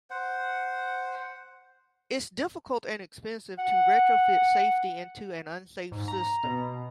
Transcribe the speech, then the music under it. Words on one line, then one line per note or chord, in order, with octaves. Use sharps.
It's difficult and expensive to retrofit safety into an unsafe system.
C5 F#5
F#5
G#2
A#5
B2